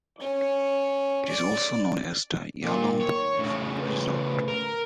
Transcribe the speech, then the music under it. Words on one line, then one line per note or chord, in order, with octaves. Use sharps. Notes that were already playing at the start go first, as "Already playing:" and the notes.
It is also known as the Yalong Bay National Resort.
C#4
D5
A#2 D#3
C#5
A2 C#3 C#4
B4
A#4